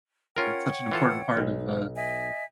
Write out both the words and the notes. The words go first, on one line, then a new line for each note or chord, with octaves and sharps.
that's such an important part of, uh
C#4 F4 A#4 C#5 F#5 G5
E3 F4 A4
B1
D#5 E5 G#5